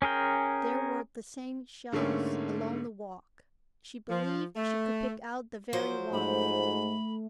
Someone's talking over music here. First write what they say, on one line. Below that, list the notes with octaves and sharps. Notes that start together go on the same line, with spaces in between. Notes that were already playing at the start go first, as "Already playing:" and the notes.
There were the same shells along the walk; she believed she could pick out the very one.
C#4 G#4 A#4 G5
G#2 D3 A3 A#3 C#4
F3
A3
F3 F#3 C5
G#2 A3 B5